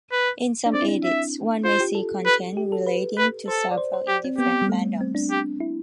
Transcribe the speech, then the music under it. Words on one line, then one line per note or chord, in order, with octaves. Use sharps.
In some edits, one may see content relating to several different fandoms.
B4
D4
C4 D5
E4
D4
E5
F4 C5
G4
A4
B4
G4
A4
B4
B4
A4 C5
D5
C5
C5
G4
C4
B3 G4
G3
A3
C4
D4
G4
E4